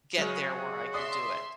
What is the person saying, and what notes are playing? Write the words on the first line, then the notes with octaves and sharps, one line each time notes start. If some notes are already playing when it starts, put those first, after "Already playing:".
get there where I can do it.
C#3 F#3 G#3 F#4
D5 E5 C6 D#6